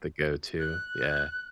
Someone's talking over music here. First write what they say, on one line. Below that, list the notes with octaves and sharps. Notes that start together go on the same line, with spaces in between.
The go-to. Yeah.
F#6